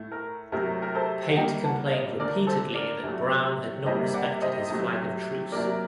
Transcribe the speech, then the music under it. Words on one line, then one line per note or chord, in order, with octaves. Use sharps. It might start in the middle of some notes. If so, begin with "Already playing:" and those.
Pate complained repeatedly that Brown had not respected his flag of truce.
Already playing: A2 A3
A#4
C3 F#3 A3 A#4
A#4
A4 C5
F#5
D3 G3 A#3 D#5 G5
F#5 A5
C5 D#5
D3 A3 A#4 D5
A4 C5
A#4 D5
C3 F#3 A3
C3 G3 A#3 C5 D#5
D5 F#5
C5 D#5
C3 F#3 A3
C3 F#3 A#3 A#4 D5